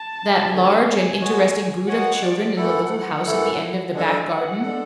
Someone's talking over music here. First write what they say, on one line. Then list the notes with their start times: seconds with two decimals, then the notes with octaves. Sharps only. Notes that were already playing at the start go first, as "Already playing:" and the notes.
"That large and interesting brood of children in the little house at the end of the back garden?"
Already playing: A5
0.51 D2 D3 F#3 G#5
1.19 G#3 B3 F#4 C#5
1.88 G#3 B3 F#4 C#5 F#5
2.23 D5
2.57 F#2 E3 A3 E4 A4 F#5
3.26 F#2 E3 A3 E4 A4
3.94 G#3 D4 A4 G#5
4.29 F#5
4.63 G#3 D4 A4